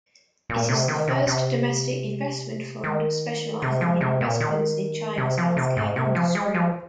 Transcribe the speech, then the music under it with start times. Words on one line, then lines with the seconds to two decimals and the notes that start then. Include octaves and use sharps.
It is the first domestic investment fund specializing in investments in China's healthcare industry.
0.49 A#2
0.69 C3
0.88 D#3
1.08 C3
1.27 C3
2.84 D#3
3.62 C3
3.81 F3
4.01 C3
4.21 A#2
4.40 D#3
5.18 C3
5.38 F3
5.57 C3
5.77 G#2
5.96 C3
6.15 F3
6.35 G#3
6.54 F3